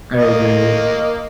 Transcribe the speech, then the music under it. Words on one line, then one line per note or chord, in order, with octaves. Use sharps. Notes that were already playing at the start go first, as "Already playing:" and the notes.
I agree.
A#3 D#5